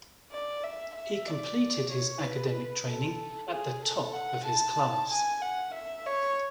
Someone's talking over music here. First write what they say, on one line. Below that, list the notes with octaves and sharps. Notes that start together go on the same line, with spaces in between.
He completed his academic training at the top of his class.
D5
E5
E5
D5
C#5
B4
A4
G#4
A4
F#5
A5
G#5
F#5
E5
C#5